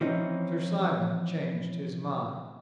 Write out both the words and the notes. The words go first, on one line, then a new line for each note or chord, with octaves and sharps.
Sir Simon changed his mind.
E3 F3 C4 C#4 D#4